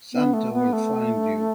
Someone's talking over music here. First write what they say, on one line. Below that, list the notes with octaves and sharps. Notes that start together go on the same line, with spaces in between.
Santa Will Find You!
B3
A3
B3
A3